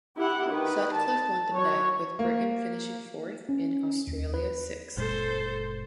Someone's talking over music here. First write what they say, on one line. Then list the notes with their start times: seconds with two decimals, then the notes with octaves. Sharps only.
Sutcliffe won the bet, with Britain finishing fourth and Australia sixth.
0.17 E4 G4 F#5
0.51 D#3 G4 B4
0.95 A5
1.48 F#3 C#5
2.19 A#3
3.49 C#4
4.07 D#2
4.34 B4
4.97 F#1 A#2 G#3 A4 C5